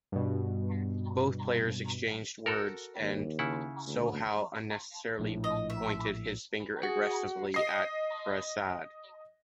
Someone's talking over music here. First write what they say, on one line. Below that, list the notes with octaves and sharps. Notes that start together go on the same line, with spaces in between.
Both players exchanged words, and Sohail unnecessarily pointed his finger aggressively at Prasad.
G2 B2
F#4 A4 A#4
D#2
C#3 E4 F#5
D2
A#1 A2
D#5
E5
F#4 G#4
D#5 C7